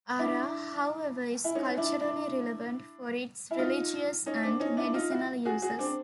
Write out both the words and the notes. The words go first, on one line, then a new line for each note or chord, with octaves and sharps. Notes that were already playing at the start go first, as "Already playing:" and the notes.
Ara, however, is culturally relevant for its religious and medicinal uses.
D4 E4
E4
C#4 D#4
D4 E4
D4 E4
E4
D#4 F4
C#4 D#4
C4 D4
C#4 D#4
D4 E4
D#4 F4
E4 F#4
F#4 G#4
F#4 G#4
C4 D4